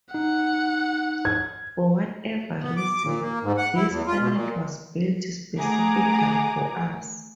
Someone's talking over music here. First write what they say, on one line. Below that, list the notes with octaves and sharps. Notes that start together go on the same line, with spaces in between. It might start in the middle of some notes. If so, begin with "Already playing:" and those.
For whatever reason, this planet was built specifically for us.
D#4 F#5
G#6
B3
D6
A#2
A#3
G#2
F#5
E4
E2
F4
B2
A#2
A3 G#4 F#5 A#5 D6